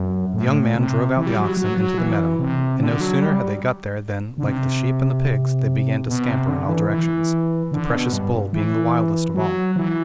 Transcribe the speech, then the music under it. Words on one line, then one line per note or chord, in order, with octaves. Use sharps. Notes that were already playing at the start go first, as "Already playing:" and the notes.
The young man drove out the oxen into the meadow, and no sooner had they got there than, like the sheep and the pigs, they began to scamper in all directions, the precious bull being the wildest of all.
Already playing: F#2
A2
C3
E3
G3
F#3
F#3
F#3
E3
C3
D3
F#3
G3
D3
C3
B2
C3
D3
E3
E3
D3
B2
G2
E3
F#3
E3